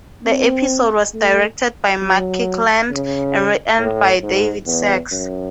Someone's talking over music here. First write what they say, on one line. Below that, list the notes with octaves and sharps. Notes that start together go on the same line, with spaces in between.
The episode was directed by Mark Kirkland, and written by David Sacks.
C4
A3
F#3
C#3
A2
G#2
E2
F#2